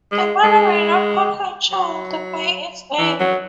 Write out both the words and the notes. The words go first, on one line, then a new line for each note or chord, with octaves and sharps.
The mother may not call her child by its name.
G#3
G#3
F#3
E3
F#3